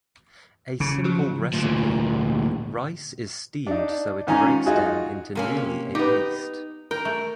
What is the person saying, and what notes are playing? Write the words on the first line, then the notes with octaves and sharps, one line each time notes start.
A simple recipe: Rice is steamed so it breaks down into nearly a paste.
C#3
F3 F#3
D2 A#2
D4 D#4
G#2 D#3 C#4 F4 G#5 A#5
D#4 F4 F#4 G#4
C3 A#3 C#4
B3 D#4 G4
A#4 G5
A3